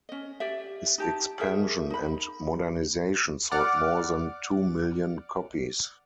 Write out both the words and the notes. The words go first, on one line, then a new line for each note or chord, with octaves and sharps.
His expansion and modernization sold more than two million copies.
C#4 D#5
G4 D5 E5
D#4 G4 A5
G#4 A#4 E5
D#4 B5
D5 F#5 D6 F6